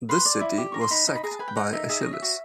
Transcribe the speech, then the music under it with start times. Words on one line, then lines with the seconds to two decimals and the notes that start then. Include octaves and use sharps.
This city was sacked by Achilles.
0.09 B4 C6
0.25 D5
0.41 E4
0.58 G4
0.72 A#4 C#6
0.81 C6
0.90 D#4 B5
1.07 D#4
1.15 B5
1.24 G#4 A#5
1.31 A5
1.39 B4 G#5
1.48 G5
1.56 D#4 F#5
1.73 D#4 E5
1.89 G#4 E5
2.01 C#5 D#5
2.13 E5
2.22 F#4